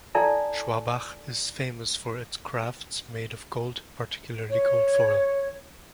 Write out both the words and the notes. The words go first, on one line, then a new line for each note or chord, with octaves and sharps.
Schwabach is famous for its crafts made of gold, particularly gold foil.
E4 A4 D5 F5 G#5 A5
C#5